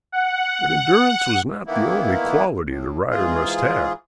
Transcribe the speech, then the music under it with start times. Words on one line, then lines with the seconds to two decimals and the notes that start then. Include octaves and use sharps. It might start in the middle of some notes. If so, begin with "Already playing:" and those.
But endurance was not the only quality the rider must have.
0.12 F#5
1.67 D#3 E3 A#3 B3 E4
2.69 A2
3.10 G#2 E3 F4 G#4